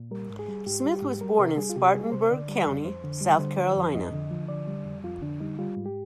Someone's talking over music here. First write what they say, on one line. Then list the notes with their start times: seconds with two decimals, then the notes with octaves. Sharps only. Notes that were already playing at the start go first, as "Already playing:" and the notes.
Smith was born in Spartanburg County, South Carolina.
Already playing: A#2
0.11 G3 A#4
0.30 G#2
0.39 G#4
0.48 G3
0.66 G#2 G4
0.85 G3
0.93 G4
1.03 G#2
1.21 G3 A#4
1.39 C3 A#4
1.57 G3 G#4
1.70 F4
1.76 C3 G4
1.94 G3 G#4
2.12 C3 C5
2.30 D3 D5
2.49 G3
2.67 F2
2.85 F2 C5
3.04 D3
3.21 G3
3.40 D3 C5
3.58 F3
3.77 F2
3.94 F2 D#5
4.13 D3
4.31 F3
4.49 D3 D5
4.67 G3
4.85 F2
5.03 F2 F4
5.22 D3 D4
5.40 G3 D#4
5.59 G3 F4
5.77 G#2
5.86 G4